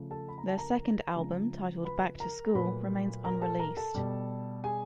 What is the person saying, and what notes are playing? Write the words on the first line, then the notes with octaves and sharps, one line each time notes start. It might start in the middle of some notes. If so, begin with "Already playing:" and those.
Their second album, titled "Back to School", remains unreleased.
Already playing: C#3 F3 A3
A4 A5
B5
A#5
A5
A#4 A#5
C#3 F3 G#3
B4 B5
A#4 A#5
A#2 F#3 A3 B4 B5
A#4 A#5
A4 A5
A#4 A#5
A4 A5
B2 G3
G#4 G#5